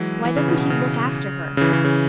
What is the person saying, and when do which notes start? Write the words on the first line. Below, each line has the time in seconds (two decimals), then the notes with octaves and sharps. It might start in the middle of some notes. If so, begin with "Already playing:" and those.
Why doesn't he look after her?
Already playing: E3 F#3 G#3
0.25 E3
0.36 C#3
0.48 B2
0.59 B2
0.70 C#3
1.57 C#3
1.61 E3
1.73 C#3
1.84 C#3